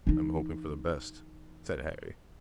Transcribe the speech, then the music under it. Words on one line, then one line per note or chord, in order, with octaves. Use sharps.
"I'm hoping for the best," said Harry.
E3 D#4